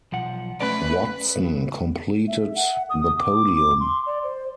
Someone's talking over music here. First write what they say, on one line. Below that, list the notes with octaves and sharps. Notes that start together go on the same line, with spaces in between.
Watson completed the podium.
B1 F3 F#5
A3 C#4 B4 D5
E5
F#5
D#6
D6
D6
C6
D5
C5